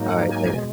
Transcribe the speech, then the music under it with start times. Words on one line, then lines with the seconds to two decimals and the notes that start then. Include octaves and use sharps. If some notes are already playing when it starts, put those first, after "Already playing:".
Alright, later.
Already playing: G#2 F#3 A#3 D#4
0.08 F#5
0.31 G#5
0.53 B2 G#3